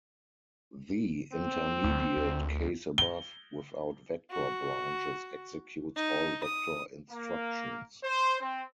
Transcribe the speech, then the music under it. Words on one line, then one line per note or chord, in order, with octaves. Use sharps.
The intermediate case above, without vector branches, executes all vector instructions.
C4
D2
D2
G7
F#4
D#4
D#6
A#3
C5
C4